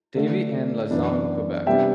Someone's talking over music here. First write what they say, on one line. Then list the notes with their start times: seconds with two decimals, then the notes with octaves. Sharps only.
Davie in Lauzon, Quebec.
0.15 D3 A3 D4
0.91 F#2 E3 B3 D4
1.66 C3 G3 B3 D4 E5 G5